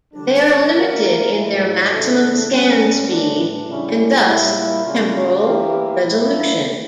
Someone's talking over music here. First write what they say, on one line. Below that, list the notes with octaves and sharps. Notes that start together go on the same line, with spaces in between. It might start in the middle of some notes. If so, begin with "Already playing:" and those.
They are limited in their maximum scan speed and thus temporal resolution.
D3 G3 D4
E3 A#3 E4 A#4
A2 F3 A3 E4
C#3 E3 A3 D4 A4
A2 G3 C#4
A2 E3 G3 D4
C#3 G3 C#4 E4
A#2 G3 A#3 E4
C#3 G3 C#4 F4
E3 A#3 E4 G4
A#2 G3 A#3 E4